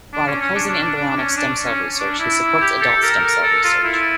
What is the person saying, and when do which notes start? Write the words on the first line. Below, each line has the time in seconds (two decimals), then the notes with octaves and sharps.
While opposing embryonic stem cell research, he supports adult stem cell research.
0.13 D4
0.27 C#4
0.41 C#4
0.55 D4
0.69 D4
0.82 D4
0.96 D4
1.10 D4
1.17 C#4
1.37 D4
1.65 C#4
1.99 D4
2.19 E4
2.61 G4
2.81 A4
3.03 A#4
3.43 A4
3.64 F4
3.84 E4